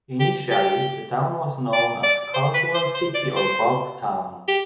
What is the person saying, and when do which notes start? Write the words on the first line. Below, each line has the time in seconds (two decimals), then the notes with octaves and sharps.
Initially, the town was known as Caldwell City or Bob Town.
0.20 G4
0.50 G4
1.73 D5
2.03 D5
2.34 C5
2.54 B4
2.75 C5
2.94 C5
3.15 D5
3.36 C5
4.48 G4